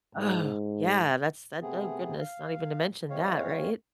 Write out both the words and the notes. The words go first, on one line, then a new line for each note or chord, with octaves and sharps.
Ugh, yeah. That's that oh, goodness. Not even to mention that, right?
G#2
C3 A3 B3 C4 G#4
F5
E3 G#3 C4 C#5 F5